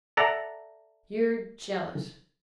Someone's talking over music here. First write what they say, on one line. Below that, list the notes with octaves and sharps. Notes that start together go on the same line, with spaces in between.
"You're jealous!"
A4 D5 E5 F#5 A#5